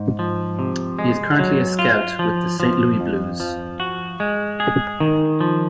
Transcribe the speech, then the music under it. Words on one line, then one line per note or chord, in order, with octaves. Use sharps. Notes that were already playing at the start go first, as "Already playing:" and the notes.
He is currently a scout with the Saint Louis Blues.
Already playing: G#2
F3
C3
G#3
F#3
F4
F3
F3
F2
F3
F#4
G#3
G#4
D#3
F3